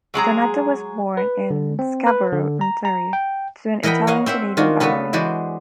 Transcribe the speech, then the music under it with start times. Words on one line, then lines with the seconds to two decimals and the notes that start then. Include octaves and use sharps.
Donato was born in Scarborough, Ontario, to an Italian Canadian family.
0.14 F#3 G#3 G#4 A#5
1.17 B4
1.50 D3
1.79 C4
2.07 B4
2.32 D3
2.61 A#5
2.85 A#5
3.13 G5
3.83 E3 A#4 D#5 F#5 G5 B5
4.07 C#5 D#5 F5 F#5
4.26 C4 C5 E5 F#5
4.57 D#3 D4 F4 F#4
4.80 C#3 B3 F#4 A4 B4
5.13 E3 G#3 F#4 C5 D5